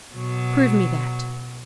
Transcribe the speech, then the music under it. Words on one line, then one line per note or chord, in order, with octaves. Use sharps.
"Prove me that."
B2 F#3